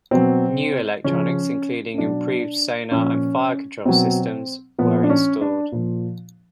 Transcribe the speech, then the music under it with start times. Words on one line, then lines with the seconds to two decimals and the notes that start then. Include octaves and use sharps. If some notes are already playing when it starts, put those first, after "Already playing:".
New electronics, including improved sonar and fire-control systems, were installed.
0.11 B2 F#3 C4
1.04 C#3 F3 C#4
1.94 C#4
1.98 B2 F#3 D4
2.91 A#2 F3 C#4
3.85 B2 F#3 C4
4.78 A#2 F3 B3
5.03 D4
5.10 C#4
5.41 D4
5.72 A#2 F3